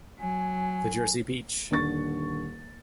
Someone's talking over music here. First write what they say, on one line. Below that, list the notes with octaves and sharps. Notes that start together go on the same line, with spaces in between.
The Jersey beach!
F#3 G#5
D#1 D3 C#6 A6